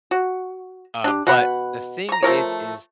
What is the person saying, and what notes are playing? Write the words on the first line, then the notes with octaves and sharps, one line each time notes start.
uh, but the thing is is
F#4
D4 G4
B2 F#5 B5
A#5 C#6
F3 A3 A#4 C#5